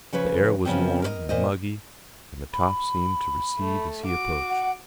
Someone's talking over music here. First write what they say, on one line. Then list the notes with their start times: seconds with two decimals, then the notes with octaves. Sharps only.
The air was warm and muggy, and the top seemed to recede as he approached.
0.13 C#3 F3 B4 C#5
0.65 C#3 F3 B3 C4
1.02 A#4 B4 D#5
1.29 A#2 C5 D#5
2.53 B5
3.60 A3
4.05 F#4 D6
4.50 F#5